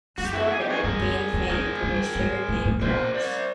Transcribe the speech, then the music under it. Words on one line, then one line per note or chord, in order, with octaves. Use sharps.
Storter gained fame for his sugar cane crops.
F#2 F#4
G4
E4 F#4
G#4
G4
F#4 G#4
G2 G#4 A#4
F#2
E2
F2 G#4 A#4
G2
G#2
A2
A2
A#2 A#4 C5
C5 D5